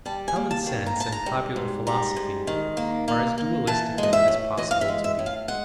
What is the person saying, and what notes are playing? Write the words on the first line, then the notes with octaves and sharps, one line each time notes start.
Common sense and popular philosophy are as dualistic as it is possible to be.
G3 A5
G#5
A#3
A5
D#3
A#5
G#2 A5
A#5
G3
G#2
G3 A#5
G#2
D#3
A#3
A#3
A#3
E3 A5
G#3 D#5
E5
A2
E3 D#5
F5
E5
G#3
E5
A2
F5
G#3 F#5